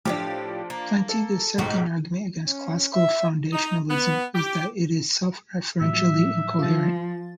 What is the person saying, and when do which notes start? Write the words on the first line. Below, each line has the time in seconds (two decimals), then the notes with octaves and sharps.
Plantinga's second argument against classical foundationalism is that it is self-referentially incoherent.
0.05 A2 C#3 F3 D4 G4
0.70 A#3
1.09 A4
1.58 B1 G#2 F3 D#4 F#4 G5
2.48 C#4
2.94 E5
3.53 D#4
3.89 B3
4.35 G4
5.81 A2 F3 F#3 E5
6.59 F3 F4 A6